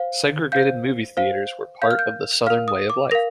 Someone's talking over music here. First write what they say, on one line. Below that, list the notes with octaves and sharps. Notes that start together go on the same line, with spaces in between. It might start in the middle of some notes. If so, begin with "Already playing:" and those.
Segregated movie theaters were part of the southern way of life.
Already playing: C5 F5
C5 F5 G6
C5 F5
A#4 F5 G6
F6
G6
A#4 F5 F6
D#6
D6
A#4 F5 A#6